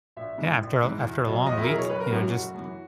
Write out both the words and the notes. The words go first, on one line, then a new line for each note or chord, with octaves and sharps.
Yeah, after a after a long week, you know, just,
A#1 E5
G#2 E3
A#1
G#2 E3
E2
B2 F#3
E2 D#5
E4
A#4
B2 F#3 G#4
C#5
F#1 B4
A#4
F#2 E3 F#4
F#4
F#1
F#2 E3